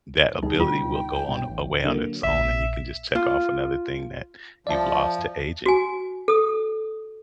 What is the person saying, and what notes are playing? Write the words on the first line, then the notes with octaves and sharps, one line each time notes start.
that ability will go on a away on its own, and you can just check off another thing that you've lost to aging.
D2 B2 G3 D#4 G#4
F4 G5
G2 B2
A1
D3 F#3 A#3
A#1 A#2 E5
F4
F3 D5 E5 A5
F#4 G#5
A4 D#6